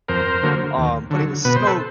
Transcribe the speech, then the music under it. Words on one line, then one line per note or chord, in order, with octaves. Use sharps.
um, but it was so
F2 A#4 C5
D3 F#3 A#3
D#2
D3 F#3
B2 B4
C5
A4 B4